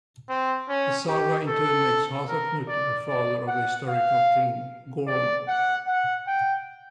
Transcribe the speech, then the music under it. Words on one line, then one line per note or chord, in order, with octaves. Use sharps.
The saga in turn makes Harthacnut the father of the historical king, Gorm.
C4
C#4
G4
A4
A#4
D5
D5
F#5
F5
D5
F#5
F#5
G5